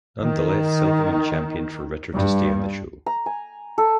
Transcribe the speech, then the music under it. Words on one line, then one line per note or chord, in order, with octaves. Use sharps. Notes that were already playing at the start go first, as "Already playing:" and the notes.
Nonetheless Silverman championed for Ritter to stay on the show.
D#3
G2
A#5
G#5
A4